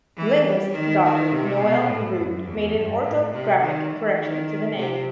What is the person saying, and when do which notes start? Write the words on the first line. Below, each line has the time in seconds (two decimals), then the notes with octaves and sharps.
Linguist Doctor Noel Rude made an orthographic correction to the name.
0.17 E3
0.46 G3
0.74 D#3
1.03 D#3
1.32 C3
1.60 B2
1.89 A2
2.17 F#2
2.46 E2
2.75 G2
3.04 A2
3.32 C3
3.62 D#3
3.90 E3
4.18 D#3
4.76 C3